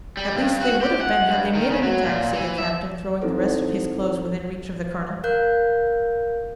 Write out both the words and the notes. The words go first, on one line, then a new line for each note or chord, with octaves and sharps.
"At least they would have been, had they made an attack," said the captain, throwing the rest of his clothes within reach of the colonel.
G3
G2
F#4
G4
F#5
G2
D#3
C#3
F#3
A#2
E3
E5
C4 D#4 E4 A4 C5
A#4 F5 F#6 G6